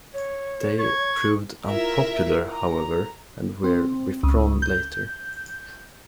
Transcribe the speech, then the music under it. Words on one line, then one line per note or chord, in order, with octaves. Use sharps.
They proved unpopular, however, and were withdrawn later.
C#5
C#6 G#6
E4 F4 A#4 E5
A#5
C4
C#2
G6